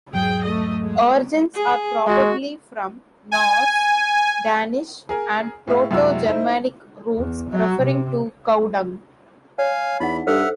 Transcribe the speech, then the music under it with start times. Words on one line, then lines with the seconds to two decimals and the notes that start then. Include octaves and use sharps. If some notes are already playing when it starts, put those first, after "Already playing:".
Origins are probably from Norse, Danish, and Proto-Germanic roots referring to cow dung.
0.13 E2 G#2 F#3 G#4 G5
0.45 A3 D#5
0.84 G#3
1.54 G#4
2.07 G#3 F#4
3.32 G#5
5.09 G#4 A#4 G#5
5.67 A2 G#4 E5 F5
5.91 F#2 C3 G#3 E4 F#4 E6
6.25 D#4 E4 C5 E5
7.17 E2
7.50 F#3
7.82 C3
9.58 C#5 F5 G#5
10.00 E2 D#4 F#5 B5
10.27 G2 A4 C5 E5 F#5 F6